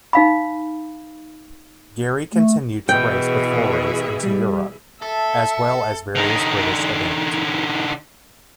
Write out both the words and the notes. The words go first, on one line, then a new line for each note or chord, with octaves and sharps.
Gerry continued to race with forays into Europe, as well as various British event.
D#4 F5 B5
A3
B2 E3 G#4 E5 G5
G3
A4 E5 A5
D3 D#4